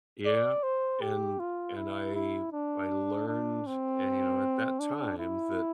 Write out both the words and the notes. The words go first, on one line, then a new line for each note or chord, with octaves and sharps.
Yeah, and and I I learned, eh, you know, at that time that,
D5
C5
G4
F4
E4
E4
D4
D4
C4
D4
E4